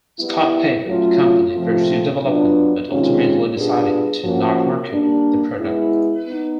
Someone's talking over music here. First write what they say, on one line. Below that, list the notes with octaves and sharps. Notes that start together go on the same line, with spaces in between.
Scott Paper company pursued development, but ultimately decided to not market the product.
G3 B3 E4
F#3 A3 C#4 F4
C3 F3 A3 C4 F4
F#3 B3 D4 F4
C3 D#3 G#3 C#4 F4
G3 B3 D4 F4 G#4
F3 A#3 C#4 F#4
G3 A#3 D4
G#3 B3 E4
B3 D#4